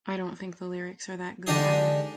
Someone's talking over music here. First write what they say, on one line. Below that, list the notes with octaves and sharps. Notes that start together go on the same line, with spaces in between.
I don't think the lyrics are that good either.
D3 G#3 D4 D#4 G4 G#4